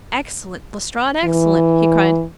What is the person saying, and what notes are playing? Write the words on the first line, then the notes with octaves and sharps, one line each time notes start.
"Excellent, Lestrade, excellent!" he cried.
E3